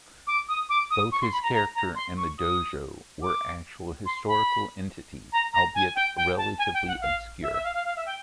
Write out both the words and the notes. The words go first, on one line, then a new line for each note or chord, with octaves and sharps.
Both his character and the dojo were actual historical entities, albeit relatively obscure.
D6
D#6
D6
D#6
C#6
C6
B5
A#5
A#5
A#5
C6
C#6
D#6
D6
C6
B5
A#5
A#5
G#5
G5
G5
A5
G#5
G5
F#5
F5
E5
E5
F5
F5
F5
E5
G5